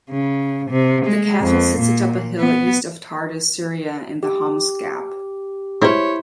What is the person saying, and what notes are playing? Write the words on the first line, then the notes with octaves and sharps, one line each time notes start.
The castle sits atop a hill east of Tartus, Syria, in the Homs Gap.
C#3
C3
G#3
F2
A#2
B3
G4
F#3 G#3 E4 C5 C#5